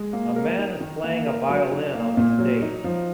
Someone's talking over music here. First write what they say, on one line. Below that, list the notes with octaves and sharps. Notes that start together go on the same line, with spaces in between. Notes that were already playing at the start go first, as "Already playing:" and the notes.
A man is playing a violin on a stage.
Already playing: G#3
A#3
A#4
D#4
D#3
A#3
A#4
F#3
D#4
A#3
A#2
F#3
D#4
F3